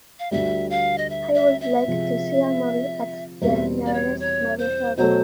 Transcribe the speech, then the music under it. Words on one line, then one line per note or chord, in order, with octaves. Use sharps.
I would like to see a movie at the nearest movie house.
F5
D2 D3 G3 E5
F5
D#5
E5
E5
E5
C3 F3 G#3
E2 B2 G3 C4 E5
D5
C#5
C#5
C5
B2 F#3 A3 C5